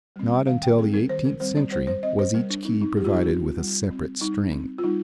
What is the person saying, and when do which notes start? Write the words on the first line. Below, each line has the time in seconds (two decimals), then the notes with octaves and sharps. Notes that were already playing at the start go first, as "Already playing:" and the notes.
Not until the eighteenth century was each key provided with a separate string.
0.16 G3 C4
0.47 D#3 F5
0.63 G5
0.78 G3 C4 G#4
0.94 A#4
1.09 D#3 C5
1.25 A#4
1.40 G3 C4 C5
1.57 D5
1.71 G3 C5
1.87 C5
2.03 C4 D#5
2.19 C5
2.34 G3 A#4
2.50 D4
2.65 C4 D#4
2.81 D#4
2.97 G3 G4
3.04 F4
3.13 D#4
3.23 F4
3.28 C4
3.59 G3
3.91 C4
4.21 G3 D#4
4.52 C4
4.78 F4
4.84 G3 D#4